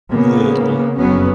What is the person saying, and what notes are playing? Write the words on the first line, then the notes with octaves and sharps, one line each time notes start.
Yeah man,
C#3 A#3 B3
F#1 F2 F#3 B3 C#4